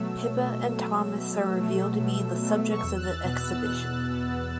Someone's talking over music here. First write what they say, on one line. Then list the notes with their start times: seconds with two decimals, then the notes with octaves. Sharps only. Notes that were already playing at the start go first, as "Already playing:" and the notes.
Pippa and Thomas are revealed to be the subjects of the exhibition.
Already playing: B2 F#3 A3 E6
0.33 B2
0.74 F#3 A3
1.16 B2
1.58 F#3 A3
1.99 B2
2.41 F#3 A3
2.71 C#6
2.82 E2 E6
2.97 F#6
3.03 A6
3.24 B2 B3 F#6
3.44 E6
3.65 E2 F#6
3.73 A6
3.80 F#6
4.06 B2 B3